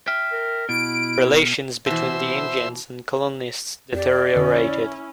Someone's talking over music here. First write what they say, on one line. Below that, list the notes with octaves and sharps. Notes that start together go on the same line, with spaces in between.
Relations between the Indians and colonists deteriorated.
E5 G5 F6
A#4
B2 E4 D7
B2 E3 C5 E5
F2 G4 D5
F2 D3 C#4 E4 E6